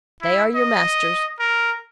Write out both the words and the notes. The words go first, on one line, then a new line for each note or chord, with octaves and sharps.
They are your masters.
E4
D#5
A#4